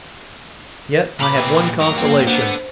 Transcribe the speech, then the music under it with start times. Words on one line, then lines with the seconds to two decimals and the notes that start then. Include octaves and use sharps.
Yet I had one consolation.
1.20 A#2 B4 A#5 B5 D6
1.38 E3 C4
1.81 G2 F#3 A#3 A#4
1.98 C4
2.27 D3 B3 C5